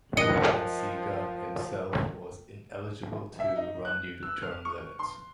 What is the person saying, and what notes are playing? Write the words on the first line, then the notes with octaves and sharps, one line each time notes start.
Fonseca himself was ineligible to run due to term limits.
F3 A#4 D#5 G5 F#6 C#7
E5
D#4
F#6
E6
F6
C#6
C6